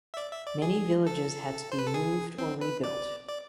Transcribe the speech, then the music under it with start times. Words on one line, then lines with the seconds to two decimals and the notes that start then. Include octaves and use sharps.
Many villages had to be moved or rebuilt.
0.14 E5
0.17 D5
0.32 E5
0.47 D5
0.62 G#4
1.07 A4
1.72 C5
1.79 B4
1.87 A4
1.94 G#4
2.38 C4
2.61 B4
2.84 D5
3.28 D5